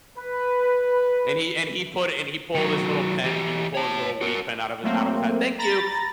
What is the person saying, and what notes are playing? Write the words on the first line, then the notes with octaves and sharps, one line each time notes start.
And he and he put and he pulled his little pen he pulled his little weed pen out of out of his hat, "Thank you,
B4
D#3 F#3
E3 G4
C#5 A5
F#4 A#4
F#3 A3 A#3 C4
A#5 B5 A6 A#6